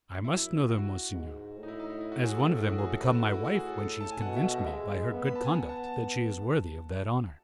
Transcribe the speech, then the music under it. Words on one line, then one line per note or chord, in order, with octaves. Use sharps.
"I must know them, monsignor, as one of them will become my wife when she has convinced me by her good conduct that she is worthy of that honour."
F#2 E4
F#4
G#2
A2
D#4
E4
D#4
E4
E4
F#4
G#4
A4
A2 G#4
E4
F#4
G#4
A4
B4
F#4
E4
E4
F#4
G#4
A4
A4
A5
G#5
B2 F#5
E5
D#5
G#3 E5
B3
B5
A5
G#5
B3 F#5
A5
A5